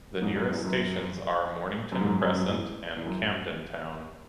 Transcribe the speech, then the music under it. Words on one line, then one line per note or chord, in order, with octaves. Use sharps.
The nearest stations are Mornington Crescent and Camden Town.
E2 G#2
F#2
E2
F#2
F#2
G#2
F#2
F#2
F#2
E2
E2
F#2